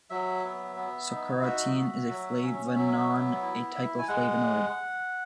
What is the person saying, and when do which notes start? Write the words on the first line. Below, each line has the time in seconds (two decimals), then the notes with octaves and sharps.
Sakuranetin is a flavanone, a type of flavonoid.
0.10 F#3 E5
0.44 B3
0.76 B3
1.10 D#4
1.42 F#4 E5
1.76 F#4
2.09 F#3
2.42 C#4
2.76 F#3 E5
3.08 B3
3.42 E4
3.75 E4
3.99 G#5
4.08 G#3 F#5